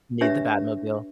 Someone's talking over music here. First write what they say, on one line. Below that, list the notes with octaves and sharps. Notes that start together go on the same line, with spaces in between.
Need the Batmobile.
D4 G4 B4 C#5 E5